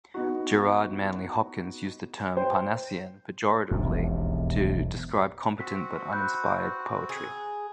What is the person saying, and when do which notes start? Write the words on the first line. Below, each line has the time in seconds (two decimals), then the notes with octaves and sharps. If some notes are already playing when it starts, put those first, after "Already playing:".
Gerard Manley Hopkins used the term "Parnassian" pejoratively to describe competent but uninspired poetry.
0.14 B3 D#4 F#4
2.37 C5 G5
3.71 E1 B1 F2 C3
5.60 C4 F#4 B6
6.12 B5 F#6 G6
7.09 G#4